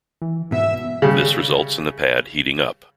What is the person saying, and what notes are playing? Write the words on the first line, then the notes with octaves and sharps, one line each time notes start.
This results in the pad heating up.
E3
G#2 B2 E5
C#3 G3